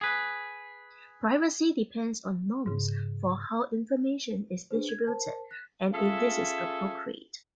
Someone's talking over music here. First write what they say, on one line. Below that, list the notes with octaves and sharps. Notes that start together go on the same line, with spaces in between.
Privacy depends on norms for how information is distributed, and if this is appropriate.
G#4 B4
G#2 C#3
D4 G#4 B4 C5
G#6
A#4 C5 A5
F#6
C#4 F4 G#4 A4 E5